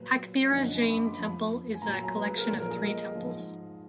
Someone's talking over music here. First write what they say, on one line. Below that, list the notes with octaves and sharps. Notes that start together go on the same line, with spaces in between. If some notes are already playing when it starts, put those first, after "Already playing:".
Pakbirra Jain temple is a collection of three temples.
Already playing: A#2 F#3 B4
F#2 D3 F3 D5
D#5
F#5
G#5
B5
D#6
D6
B5
F2 F3
G#5
A#2 F#3 A#5
G#5
A#5
B4
G#4
A#4
A#2 F3 D5
A#4
G#4
D#5
G#2 F3